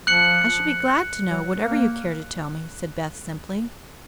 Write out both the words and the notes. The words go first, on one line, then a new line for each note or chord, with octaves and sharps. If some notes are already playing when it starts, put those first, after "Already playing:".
"I shall be glad to know whatever you care to tell me," said Beth, simply.
F3 F#6 C#7 F#7
F#3
A#3